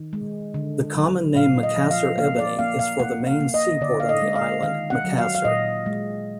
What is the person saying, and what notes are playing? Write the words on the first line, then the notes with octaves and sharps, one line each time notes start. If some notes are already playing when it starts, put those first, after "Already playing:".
The common name Makassar ebony is for the main seaport on the island, Makassar.
Already playing: D#3
G#3
D3
F#3
A#2 F5
D#5
F3
F5
A#3 F5
D5
A#3 F5
F5
A#3 F#5
F5
A#3
D#5
D3 D5
F5
D#5
G#3
F5
D#3 F5
F#5
F#3
F5
F5
A#2 D#5
G#3